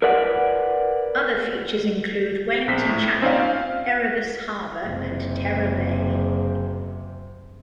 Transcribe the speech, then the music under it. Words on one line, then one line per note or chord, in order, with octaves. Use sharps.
Other features include Wellington Channel, Erebus Harbour, and Terror Bay.
A#4 B4 D5 F#5
A#1 C4 B6
A2
C4 C#4 D#4 C5 D5 F5
F5
F#1 C3